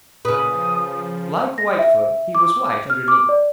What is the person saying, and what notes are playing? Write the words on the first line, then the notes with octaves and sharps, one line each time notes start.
Like Whitefoot he was white underneath.
A#2 C#3 B4 D#6
F3
A#6
E5
D6
F6
D6
D5